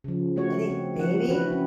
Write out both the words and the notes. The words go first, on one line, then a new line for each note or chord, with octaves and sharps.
I think, maybe?
C#3 F3
A3 F#4 C#5
C4
F3 F#5
E3 F#4 B4
C4 C#4